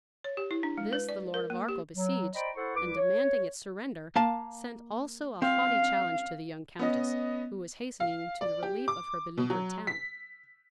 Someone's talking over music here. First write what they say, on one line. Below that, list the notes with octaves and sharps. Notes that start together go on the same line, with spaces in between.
This the Lord of Arkell beseiged, and, demanding its surrender, sent also a haughty challenge to the young countess, who was hastening to the relief of her beleaguered town.
C#5
G4
E4
D4
G#3
B4
D5
A#4
A#3
G4
F#3
C5 D5 D#5 G5 A#5 B5
E4 A4 C5 F#5 C#6
C2 E4 B4 D6
C#5
A#3 F5 A5
C4 F5
B3 C#4 D#5
F5
D5
G4
D6
B2
F#3
B6